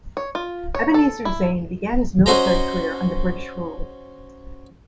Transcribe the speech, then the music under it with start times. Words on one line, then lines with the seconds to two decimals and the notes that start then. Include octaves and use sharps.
Ebenezer Zane began his military career under British rule.
0.17 C#5
0.35 F4
0.75 C#5
0.94 A4
1.25 E4
2.26 C#4 F#4 C5 D#5 A#5